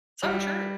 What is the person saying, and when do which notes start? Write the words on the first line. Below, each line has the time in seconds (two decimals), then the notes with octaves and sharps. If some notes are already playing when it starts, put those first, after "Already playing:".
So true.
0.23 G3